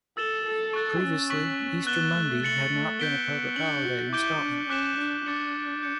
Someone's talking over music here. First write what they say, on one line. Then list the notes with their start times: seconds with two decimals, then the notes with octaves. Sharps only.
Previously Easter Monday had not been a public holiday in Scotland.
0.17 A4 E6 A6 E7 G7
0.45 A4
0.73 C#6 F#6 A6
1.02 C#4
1.30 C#6 F#6 B6 F#7
1.87 B3 F#6 A6 E7 G7
2.15 A3
2.43 A6 C#7 F#7
2.72 A3
2.99 B3 G6 B6 D7 G7
3.28 B3
3.56 D4 F#6 C#7 F#7
3.85 F#4
4.12 E4 D6 G6 D7 G7
4.41 D4
4.69 C#4 D6 F#6 B6 E7 G7
4.97 D4
5.25 D4 D6 A6 C#7 F#7
5.83 G6 C#7